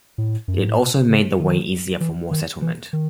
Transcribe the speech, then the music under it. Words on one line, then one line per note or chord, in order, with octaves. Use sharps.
It also made the way easier for more settlement.
A2
F#2
G#2
A2
B2
C#3
D#3
E3
D#3
E3
D#3